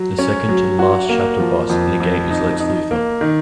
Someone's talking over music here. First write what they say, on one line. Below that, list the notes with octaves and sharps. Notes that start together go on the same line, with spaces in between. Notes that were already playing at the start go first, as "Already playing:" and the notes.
The second to the last chapter boss in the game is Lex Luthor.
Already playing: F#3
C#4
F#3
F#4
A#3
F3
F2
F2
D#4
D#4
A#3
D#3